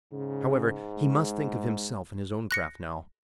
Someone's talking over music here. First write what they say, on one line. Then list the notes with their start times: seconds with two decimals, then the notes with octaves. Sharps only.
However, he must think of himself and his own craft now.
0.12 G#2 C#3
0.98 G#3
2.51 F#6 A#6 C#7